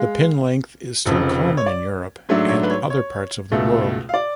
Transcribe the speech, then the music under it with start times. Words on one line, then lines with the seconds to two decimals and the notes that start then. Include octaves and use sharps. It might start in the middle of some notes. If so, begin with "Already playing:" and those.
This pin length is still common in Europe and other parts of the world.
Already playing: G#3 F5
1.05 F1 F2 C#3
1.57 C#5
1.66 D5
2.29 G#2 F#3 A3 D4
2.49 C#5
2.63 B4
2.70 C#5
2.90 C#5
3.52 C#2 B2 A3
4.09 F5
4.14 D5